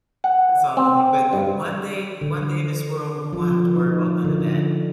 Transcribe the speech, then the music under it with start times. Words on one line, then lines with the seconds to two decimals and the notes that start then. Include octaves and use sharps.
That's all I need, but one day in one day in this world, we won't have to worry about none of that.
0.24 F#5
0.77 C4
1.33 G2
2.21 D3
3.33 F3
3.76 D#4
4.25 D3